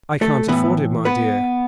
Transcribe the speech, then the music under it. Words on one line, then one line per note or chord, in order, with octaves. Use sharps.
"I can't afford it, my dear."
A3 A4
A2 E3 B3 B4
B3 B4